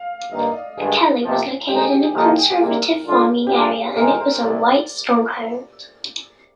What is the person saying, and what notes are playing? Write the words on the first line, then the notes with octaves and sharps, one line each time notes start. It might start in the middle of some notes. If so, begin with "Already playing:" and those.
Mikkeli was located in a conservative farming area and it was a White stronghold.
Already playing: F5
G2 D#3 A#3 D#4 D#5
D5
D#5
G2 D#3 G#3 D4 G#4
C3 F3 A#3 D#4 G4
D3 G#3 D#4 G4
G#4
G4
G#4
D#2 D3 F3 A#3 D#4 G4
G#4
G#4
C2 C3 G3 A#3 A#4
D3 G#3 D4 F4
G4
F2 C3 G3 D4 F4 G#4
D2 C3 D#3 G#3 D#4 A#4
C5
C2 D5